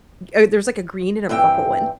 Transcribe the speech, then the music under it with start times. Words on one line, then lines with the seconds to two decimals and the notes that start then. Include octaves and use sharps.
uh, there's like a green and a purple one.
1.29 G2 E3 C4 G5